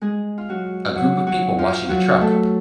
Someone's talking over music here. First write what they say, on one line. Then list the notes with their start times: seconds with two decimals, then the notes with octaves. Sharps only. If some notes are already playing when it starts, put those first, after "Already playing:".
A group of people washing a truck.
0.01 G#3 G#4
0.38 F4
0.49 F#3 F#4
0.95 F#3 F#4
1.27 F#3 F#4
1.58 F3 F4
1.89 F#3 F#4
2.21 A3 A4